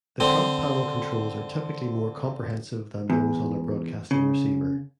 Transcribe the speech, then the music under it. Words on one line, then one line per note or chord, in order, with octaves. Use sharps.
The front panel controls are typically more comprehensive than those on a broadcasting receiver.
D3 C4
E2
C#3